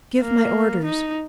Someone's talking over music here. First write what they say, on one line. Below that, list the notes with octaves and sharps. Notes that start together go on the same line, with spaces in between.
Give my orders.
A#3
D#4